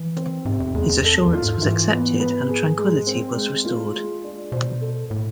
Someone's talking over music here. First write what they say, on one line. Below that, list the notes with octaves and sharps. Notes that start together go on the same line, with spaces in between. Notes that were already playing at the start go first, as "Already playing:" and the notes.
His assurance was accepted and tranquillity was restored.
Already playing: E3
C4
G#2 C3
F2
E2 G#3
E2
F2 A4
E2
F4
G#2
G#2 E3
B3
B4
G#4
G#3
C4
G#3
F4
G#3
D4
B2 C5
A4
A2 A3